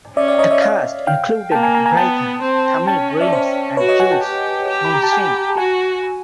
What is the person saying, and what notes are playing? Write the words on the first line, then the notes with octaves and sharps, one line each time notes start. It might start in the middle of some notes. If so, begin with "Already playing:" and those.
The cast included Bracken, Tammy Grimes, and Jules Munshin.
C#4 D5 E5
D5 E5
C#5 D#5
D5 E5
D#5 F5
F5 G5
A#3 G5 A5
G#5 A#5
G#5 A#5
G#5 A#5
B3 G5 A5
C4
C#4 G5 A5
D5 E5
C5 D5
F#4 B4 C#5
C#5 D#5
F#5 G#5
G5 A5
G4
G4
B5
A#5
A5
F#5 G#5
F#4 F#5 G#5